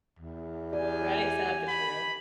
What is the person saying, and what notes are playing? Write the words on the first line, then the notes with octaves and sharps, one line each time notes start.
Right, sad but true.
E2
G4 D5 G#5
B5